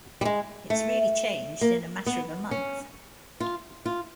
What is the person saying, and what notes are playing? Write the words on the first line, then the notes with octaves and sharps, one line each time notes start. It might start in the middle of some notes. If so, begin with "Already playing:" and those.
It's really changed in a matter of a month.
G3
G#3
A3
A#3
B3
C#4
F4
F4